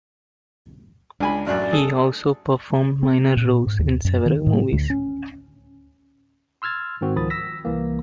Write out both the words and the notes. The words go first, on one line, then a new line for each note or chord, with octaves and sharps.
He also performed minor roles in several movies.
C#2 D4 G#5 B5
A1 F#2 D5 F#6
G#4 A4
C4
A#2
G#2
D#2
F#2
D#3
A2
D2
C#4
C6 E6 F6 G#6 A6
G#2 D#3 C4 F#4
C#2 D#3 F3 B5 D#6 A6
E6 A#6 B6
C2 E3 A#3